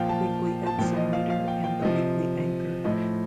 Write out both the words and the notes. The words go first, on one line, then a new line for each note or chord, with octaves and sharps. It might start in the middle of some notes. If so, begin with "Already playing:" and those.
The weekly "Edson Leader" and "The Weekly Anchor".
Already playing: A#2 F3 F5 G5
A5
A5
A#2 F3 G5
D#5
F5
F5
G5
G5
C3 F3 D#5
A2 F3 D#5